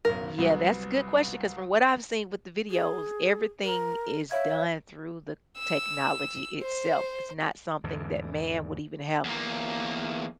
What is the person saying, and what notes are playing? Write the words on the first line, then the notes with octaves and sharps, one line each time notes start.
Yeah, that's a good question 'cause from what I've seen with the videos, everything is done through the technology itself. It's not something that man would even have,
F#1 B1 A#4
C2 F#3 B4
G#4
A#4
C#5 E5 F5 G#6
E6
C5
E2 G#2 D3
E2 A#3